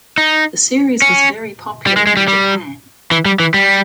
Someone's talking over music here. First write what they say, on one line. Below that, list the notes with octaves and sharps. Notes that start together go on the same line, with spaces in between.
The series was very popular in Japan.
D#4
C#4
G3
G#3
G#3
G3
G3
E3
G3
E3
G3